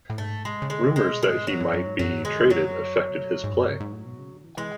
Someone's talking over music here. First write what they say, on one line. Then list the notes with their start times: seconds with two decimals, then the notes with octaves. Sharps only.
Rumors that he might be traded affected his play.
0.10 A2
0.18 G#2 A3
0.45 G#3
0.62 C#3
0.70 D3 G#3
0.96 C#3 G#3
1.13 B2
1.23 G#3
1.31 G#2
1.47 F#2 F#3
1.60 F#2
1.73 F#2
1.87 G#2
1.99 F#2 F#3
2.12 G#2
2.25 D3 G#3
2.38 E3
2.50 F#2 F#3
3.11 C#3
3.21 B2
3.32 A2
3.44 G#2
3.54 F#2
3.67 G#2
3.80 G#2
3.92 A2
4.06 B2
4.19 C#3
4.32 D3
4.44 E3
4.57 E3 G#3